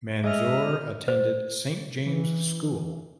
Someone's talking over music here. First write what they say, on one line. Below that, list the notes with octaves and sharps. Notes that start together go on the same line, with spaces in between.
Manzoor attended St James School.
G#3 D#5 E5 F6
C5
E3